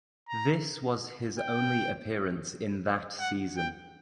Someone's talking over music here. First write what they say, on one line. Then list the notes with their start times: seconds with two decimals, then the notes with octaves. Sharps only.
This was his only appearance in that season.
0.29 A#5
1.39 G5
3.20 F#5
3.57 G5